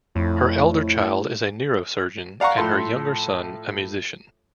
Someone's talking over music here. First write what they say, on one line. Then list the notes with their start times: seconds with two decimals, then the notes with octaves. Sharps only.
Her elder child is a neurosurgeon and her younger son a musician.
0.16 F2 A2
2.40 D5 F5 F#5 A#5 C#6
2.58 A2 F3 A4 C6